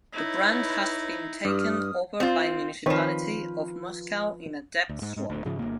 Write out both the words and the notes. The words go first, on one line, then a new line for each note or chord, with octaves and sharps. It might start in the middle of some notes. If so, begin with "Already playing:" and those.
The brand has been taken over by municipality of Moscow in a dept swap.
D#4 E4 B4 C#5
G2 D#6 F6
C4 F4
D#3 F3 C4 B4 C#5
D2
G#2
G#2
D1 D2
G#2 C#3 F3
G1 A#3